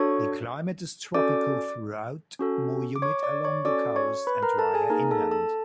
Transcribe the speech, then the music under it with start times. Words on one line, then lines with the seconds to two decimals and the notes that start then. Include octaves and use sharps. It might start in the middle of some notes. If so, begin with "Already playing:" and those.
The climate is tropical throughout, more humid along the coast and dryer inland.
Already playing: D4 F#4 A4 C#5 C#6
1.14 C#4 F#4 A4 D5 D6
2.39 C#4 F#4 A4
2.96 D6
3.02 C#5 C#6
3.23 D5 D6
3.45 C#5 C#6
3.65 C#4 F#4 A4 D5 D6
3.96 C#5 C#6
4.27 B4 B5
4.43 A#4 A#5
4.58 A4 A5
4.74 G#4 G#5
4.90 A#3 D#4 G#4 A#4 A#5
5.11 A4 A5
5.31 A4 A5